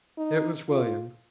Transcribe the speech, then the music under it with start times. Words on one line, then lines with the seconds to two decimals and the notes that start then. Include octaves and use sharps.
It was William.
0.18 D#4
0.69 F4